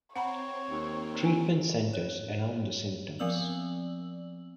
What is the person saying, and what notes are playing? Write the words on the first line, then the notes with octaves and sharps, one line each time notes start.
Treatment centres around the symptoms.
C4 C#5 F#5 A#5 B5
D#2
D4 G#5
C#5
F3 B3 C4 D5 E6 F#7